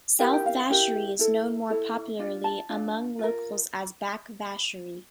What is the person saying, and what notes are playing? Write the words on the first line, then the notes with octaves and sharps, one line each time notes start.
South Vacherie is known more popularly among locals as Back Vacherie.
E4 G4 A#4 F5
G5
F5
E4 G4 A#4
E4 A4
E4 A4
D4 F4
A5
D4 F4
F4 A#4